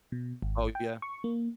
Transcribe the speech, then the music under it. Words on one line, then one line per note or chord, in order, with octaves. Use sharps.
Oh, yeah.
B2
G#1
G5
C#6
A#3